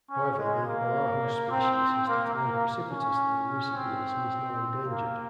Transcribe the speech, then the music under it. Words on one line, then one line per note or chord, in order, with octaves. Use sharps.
However, the Oahu species has declined precipitously in recent years and is now endangered.
C#4
G#3
A#3
C4
A#3
A#3
C#4
C4
A#3